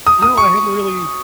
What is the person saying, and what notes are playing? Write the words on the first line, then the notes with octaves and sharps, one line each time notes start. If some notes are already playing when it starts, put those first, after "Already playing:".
No, I hadn't really
D#6
D#6
C#6